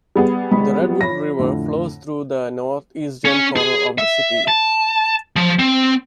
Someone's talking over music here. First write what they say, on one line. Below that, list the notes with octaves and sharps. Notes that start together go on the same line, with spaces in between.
The Redwood River flows through the northeastern corner of the city.
G3 B3 G#4
G#1 G#2 B5
F#3 C4 F4
F3 C#5 B5 A#6
F2 A2 D3
C#4
G#4
E5
A5
F3
C4